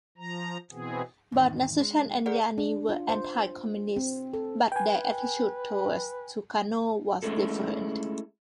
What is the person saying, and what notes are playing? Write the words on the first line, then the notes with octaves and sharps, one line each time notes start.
Both Nasution and Yani were anti-communists, but their attitude towards Sukarno was different.
F3 A#5
B2 E3 B3 C4 G#4
E2 G#2 D#3
G#3
G#4 A#4 D5 F#5
D4
F4
C5
C4
A4
B4 G5 G#5
G#3 A3 C#4 E4 G#4 A4